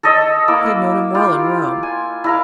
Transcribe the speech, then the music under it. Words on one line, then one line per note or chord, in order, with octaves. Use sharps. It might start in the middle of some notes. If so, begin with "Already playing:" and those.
He had known him well in Rome.
A4 C#5 D#5 E6
A#3 E4 D6 E6
E4 F4 G4
G#5
E4 A#4 F5